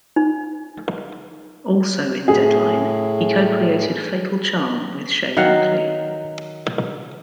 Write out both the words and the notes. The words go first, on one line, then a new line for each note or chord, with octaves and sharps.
Also in "Deadline", he co-created "Fatal Charm" with Shane Oakley.
D#4
A2 G#4
D#3 F#3 F5 F#5